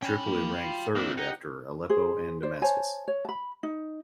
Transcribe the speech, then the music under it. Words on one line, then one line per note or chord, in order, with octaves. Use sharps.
Tripoli ranked third after Aleppo and Damascus.
C#4 G5 B5
F3 A#3
F4
A#3 C4 D4 E4
D#4 G4 F#5
G#4 C5
C5 D5
C5 C#5 G#5 A5
C#5
A5 B5
D#4